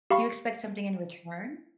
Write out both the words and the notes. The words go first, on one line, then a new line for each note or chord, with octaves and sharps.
Do you expect something in return?
G4 F5 B5 C#6